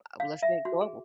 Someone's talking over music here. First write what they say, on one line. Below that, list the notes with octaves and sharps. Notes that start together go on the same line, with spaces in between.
a well, let's say global.
F5
E5
F#4
G#4